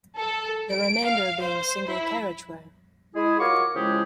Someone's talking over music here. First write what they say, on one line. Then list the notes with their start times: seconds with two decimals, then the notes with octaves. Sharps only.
The remainder being single carriageway.
0.17 A4
0.70 D7
1.04 F5
1.39 C5
1.88 E4
3.15 G#3 E4 G#4
3.39 F4 F#4 A#4 C#5 C#6 D6
3.75 C#3 F3 G#3 E4 G4 G#4